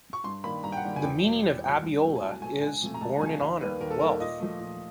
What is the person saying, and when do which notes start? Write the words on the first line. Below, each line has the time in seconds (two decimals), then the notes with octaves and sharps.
The meaning of Abiola is "born in honor, wealth".
0.13 C#6
0.24 G2 C6
0.44 D#3 G3 A#3 B5
0.64 G2 A#5
0.72 G5
0.77 F#5
0.84 D#3 G3 A#3
0.96 G#5
1.03 E2 G5
1.23 B2 G3
1.43 E2
1.63 B2 G3
1.83 C2
2.03 B2 F#3 A3
2.16 G#5
2.22 C2 A5
2.42 B2 F#3 A3 G#5
2.62 C#2 G#5
2.82 C3 F3 A3
2.94 A#5
3.01 C#2 A5
3.21 C3 F3 A3 G#5
3.41 D#2 F5
3.61 D#3 G3 A#3 B4
3.81 D#2 A#4
3.90 A4
4.00 D#3 G3 A#3 A#4
4.20 A#2 D#5
4.40 F3 A3
4.60 A#2